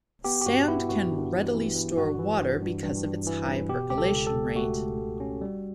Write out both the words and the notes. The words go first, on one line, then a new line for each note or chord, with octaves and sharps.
Sand can readily store water because of its high percolation rate.
B3 G4
G4
G2 F#4
B3 E4
G2 F#4
D4
E3
E3
E3
G2 F#4
E3
G2
G2
G2
G2
E3
G2
B2 G4
C#2 G4
A4
C#2
A4
C#2
A3 F#4
C#2
C#2
C#4
G3